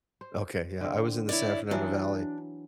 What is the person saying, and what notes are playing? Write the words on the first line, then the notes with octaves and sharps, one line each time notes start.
Okay, yeah, I was in the San Fernando Valley.
C5
D3 C4
E4 C#5 D5
E3 F#3 D4